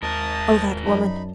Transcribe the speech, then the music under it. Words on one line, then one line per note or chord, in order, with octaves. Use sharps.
Oh, that woman!
D#2 G#2 A#4 A5 D#6
F#2 D#4 D5 A5 B5